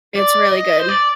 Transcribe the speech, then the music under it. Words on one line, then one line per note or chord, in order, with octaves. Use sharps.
it's really good.
D5
D#5
C5
D5